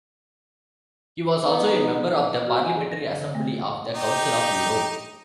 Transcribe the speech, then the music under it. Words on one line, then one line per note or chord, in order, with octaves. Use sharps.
He was also a member of the Parliamentary Assembly of the Council of Europe.
B3 D#4
F#4
G#5
G#4
A#6
D3
D3
A3
D#4 G4